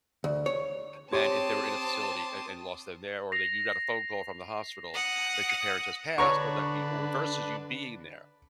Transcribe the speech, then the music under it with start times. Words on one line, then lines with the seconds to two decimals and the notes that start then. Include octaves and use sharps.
than if they were in a facility, and and lost them there, or that you got a phone call from the hospital that your parents has passed or that y or versus you being there,
0.24 D2
0.46 C#5
1.13 C4 G4 C#5 A5 C6 D6 D#6
3.32 A#6 C7 F7
4.94 F#5 D#6
6.18 D3 D4 B4 C#5 A#5 C#6